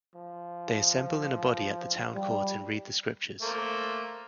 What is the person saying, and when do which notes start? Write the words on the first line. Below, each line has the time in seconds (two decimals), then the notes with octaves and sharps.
They assemble in a body at the Town Court and read the scriptures.
0.15 F3
2.15 G3
3.42 A3 A#3 C5